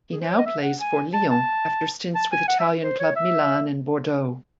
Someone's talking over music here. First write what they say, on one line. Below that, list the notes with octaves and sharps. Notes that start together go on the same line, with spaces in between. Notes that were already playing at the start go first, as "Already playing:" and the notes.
He now plays for Lyon after stints with Italian club Milan and Bordeaux.
G#4
C5
C#5
D#5
E5
F#5
G#5
A5
A5
A5
G#5
F#5
E5
C5
C#5
E5